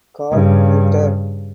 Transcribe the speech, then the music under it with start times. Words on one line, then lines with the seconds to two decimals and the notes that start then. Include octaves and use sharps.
Carl Ritter.
0.31 G2 C#3